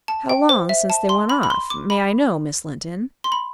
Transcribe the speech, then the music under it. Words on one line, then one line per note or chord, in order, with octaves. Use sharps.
"How long since they went off--may I know, Miss Linton?"
A5
G5
C5
E5
A5
C6
B5
B5
C6
D6
B5
C6
B5